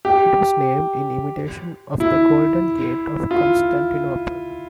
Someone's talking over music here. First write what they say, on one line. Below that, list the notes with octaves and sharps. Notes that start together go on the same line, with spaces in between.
It was named in imitation of the Golden Gate of Constantinople.
G4
E4
F4